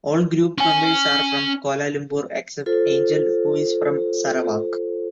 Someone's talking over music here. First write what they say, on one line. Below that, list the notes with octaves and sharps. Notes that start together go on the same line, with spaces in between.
All group members are from Kuala Lumpur except Angel who is from Sarawak.
C#4 G#5
F4 A4 C5